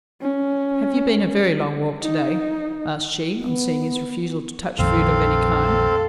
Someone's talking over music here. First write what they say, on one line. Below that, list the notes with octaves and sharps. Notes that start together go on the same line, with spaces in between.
'Have you been a very long walk to-day?' asked she, on seeing his refusal to touch food of any kind.
C#4
D#4
B3
A#1 F2 D#3 C4 A4 F5
A4